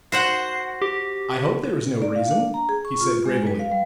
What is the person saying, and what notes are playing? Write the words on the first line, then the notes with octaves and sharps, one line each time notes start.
"I hope there is no reason," he said gravely.
F#4 C5 F#5 C7
G4
D5
F5
D4
A#5
G#4
C#6
F4
G#3
B4
F5
G3